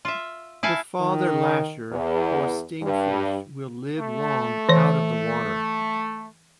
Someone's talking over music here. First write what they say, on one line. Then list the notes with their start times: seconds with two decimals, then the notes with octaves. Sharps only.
The father-lasher, or sting-fish, will live long out of the water.
0.05 F4 E5
0.63 E4 F5 G#5 A5
1.01 D#3
1.92 E2
2.83 G2
3.99 A3
4.69 E3 C#5